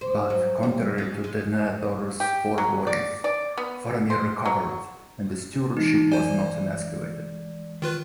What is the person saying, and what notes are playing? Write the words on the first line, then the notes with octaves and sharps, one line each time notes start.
But contrary to Denethor's forebodings, Faramir recovered, and the Stewardship was not emasculated.
C5
F#3
G3
G#3
G#3
G4
F#3
D5
D5
B3
C5
F#3
E3 G#3 D#4
C5 D5 G#5
D#3 F4 B4